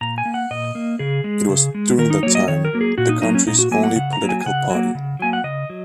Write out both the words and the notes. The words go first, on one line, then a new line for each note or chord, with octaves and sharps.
It was, during that time, the country's only political party.
A#2 A#5
G#5
A#3
F#5
A#2 D#5
A#3
C#3 G#4
G#3
C#3
G#3
D#3 A#4
D#4
F#3 A#3 C#5
D#5
D#3 C#5
A#4
F#3 A#3
G#4
A#2 F#4
D#4
F#3 A#3 D#4
C#4
A#2 D#4
F#4
F#3 A#3 G#5
F#5
C#3 F#5
A#5
F#3 A#3
G#5
G#5
C#3 F#5
F#3 A#3
C#3
F#3 A#3 G#5
F#5
C#3 D#5
F#3